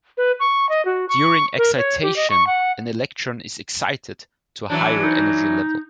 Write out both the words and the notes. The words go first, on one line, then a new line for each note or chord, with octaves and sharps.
During excitation, an electron is excited to a higher energy level.
B4
C#6
D#5
F#4
C#6
A#4
C#5
G4
D#5
C#6
F#5
E3 F#3 D4
D#4